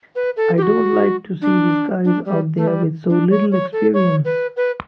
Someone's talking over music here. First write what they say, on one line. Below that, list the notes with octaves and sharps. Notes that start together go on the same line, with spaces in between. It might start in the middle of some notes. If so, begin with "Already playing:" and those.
I don't like to see these guys out there with so little experience.
B4
A4
G4
F#4
D4
D4
G3
A3
G3
D4
C#5
C#5
A4
C#5
B4
B4